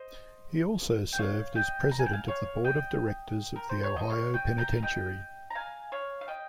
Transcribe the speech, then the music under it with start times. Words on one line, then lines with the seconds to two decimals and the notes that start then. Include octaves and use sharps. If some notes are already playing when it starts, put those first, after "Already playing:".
He also served as president of the board of directors of the Ohio Penitentiary.
Already playing: C5 D#5
1.13 G5
1.18 C#5 F5
1.55 D#5 G5
1.91 A#5
1.99 G#5
2.06 G5
2.13 F5 G#5
2.28 C#5 F5
2.64 D#5 G5
3.56 A#4
3.69 C5
3.83 C#5
3.96 D#5
4.10 C#5 F5
4.34 D#5 G5
4.58 G5 A#5
4.72 F5
4.83 D#5 G5
5.50 A#5
5.55 F5 G#5
5.92 C#5 F5
6.21 F5
6.28 D#5 G5